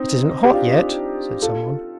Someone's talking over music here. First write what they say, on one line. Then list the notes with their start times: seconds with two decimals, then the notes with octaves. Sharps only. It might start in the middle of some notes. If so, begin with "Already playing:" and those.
'It isn't hot yet,' said someone.
Already playing: C4 D#4
0.44 G4
0.53 D4 F4
1.42 F4 A4